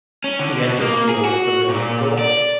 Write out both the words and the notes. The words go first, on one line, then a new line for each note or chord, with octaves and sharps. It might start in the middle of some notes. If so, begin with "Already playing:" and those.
He enters the old familiar door.
C#4
D3
B2
A#3
G#4
F#4
A#2
D5